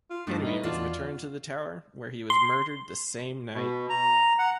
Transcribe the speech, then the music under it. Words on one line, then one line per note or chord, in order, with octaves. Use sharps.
Henry was returned to the Tower, where he was murdered the same night.
F4
G2 D#3 G3 A3 D4
D#4 E4 B4
E2 F4 F#4 D5 A5
C6
B2
A#5
F#5